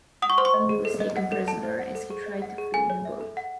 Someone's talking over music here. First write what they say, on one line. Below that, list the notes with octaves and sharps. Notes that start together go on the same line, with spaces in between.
Morosini was taken prisoner as he tried to flee in a boat.
F#5 D#6
C#6
C5 C6
C#6
D#5
G#4
A4
D#5
F#5
A4
A4 A5
C5
F#5
A4
G#4
D#5
F#5
G#4
A4 G#5
C#5
E5
A4
F#5